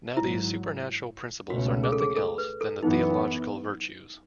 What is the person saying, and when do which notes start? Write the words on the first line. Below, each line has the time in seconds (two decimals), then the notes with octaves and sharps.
Now these supernatural principles are nothing else than the theological virtues.
0.17 G#1 G#2 F#3 E4
1.50 C#2 B2 A3 C#4 F#4
1.83 G#4
1.92 A4
2.01 G#4
2.16 A4
2.38 B4
2.61 A4
2.83 F#2 E3 B3 D#4